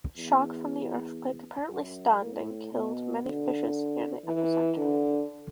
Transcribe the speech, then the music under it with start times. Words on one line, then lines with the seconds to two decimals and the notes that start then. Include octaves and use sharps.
Shock from the earthquake apparently stunned and killed many fishes near the epicenter.
0.17 E2
1.70 F#2
2.21 A2
2.72 B2
3.24 D3
4.25 E3
4.77 D3